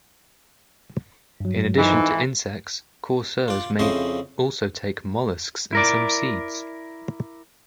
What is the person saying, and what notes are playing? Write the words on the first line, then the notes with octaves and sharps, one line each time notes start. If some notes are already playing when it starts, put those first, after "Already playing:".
In addition to insects, coursers may also take molluscs and some seeds.
G2 F#3
F2 G#2 E3 D#4
F4 D5
F2 C#3 E4 C5 D#5
E4 A#4 D5